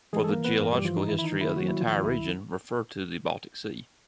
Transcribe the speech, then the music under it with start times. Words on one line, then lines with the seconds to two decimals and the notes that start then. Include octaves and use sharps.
For the geological history of the entire region, refer to the Baltic Sea.
0.13 E3 G#3 G#4
0.24 A4
0.29 A#3 A#4
0.37 E3
0.44 B3 B4
0.60 G2 A#3 A#4
0.72 G3 G4
0.84 E3 F3 F4
0.97 D#4
1.08 D#3 E4
1.19 E4
1.24 D#4
1.33 D#3
1.41 E4
1.56 F#3 A#3 F#4
1.68 E4
1.80 D#3 F3 F4
1.98 F4
2.04 C2 E4